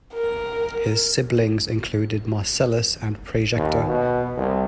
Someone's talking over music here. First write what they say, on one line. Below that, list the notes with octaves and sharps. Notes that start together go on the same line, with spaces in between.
His siblings included Marcellus and Praejecta.
A#4
D#2
B2
C2